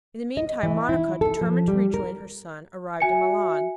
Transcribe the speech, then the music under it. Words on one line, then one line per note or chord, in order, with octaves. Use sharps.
In the meantime Monica, determined to rejoin her son, arrived in Milan.
D#5
E3
E4
A4
F3
G3
A#4
F#4 E5 G#5 C#7